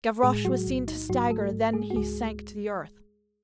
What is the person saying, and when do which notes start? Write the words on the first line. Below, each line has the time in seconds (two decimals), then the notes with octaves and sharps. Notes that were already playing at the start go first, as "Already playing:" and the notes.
Gavroche was seen to stagger, then he sank to the earth.
0.23 A2 G#3 G#4
0.45 F#3 F#4
0.67 B1
0.88 D#4
1.09 G#2 F#3 F#4
1.30 A3 A4
1.53 G#2
1.73 G#3 G#4
1.90 F#4
1.95 C#2 G#3 G#4